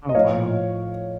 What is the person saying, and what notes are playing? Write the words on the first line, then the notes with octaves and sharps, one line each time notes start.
Oh, wow.
D#5
A2 F3 C#5 F5